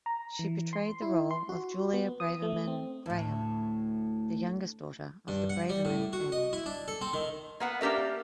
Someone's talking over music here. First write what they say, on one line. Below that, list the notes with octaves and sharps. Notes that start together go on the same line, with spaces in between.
She portrayed the role of Julia Braverman-Graham, the youngest daughter of the Braverman family.
A#5
E3
C6
E4
C6
F#4
B3
D#6
A3
C4
D2 A2
G2
F#5
G3
A2
F#4
D#5
E4
D4
A4
C4
D#3
A#3 B3 F#5
A#3 D4 G4 A#4 E5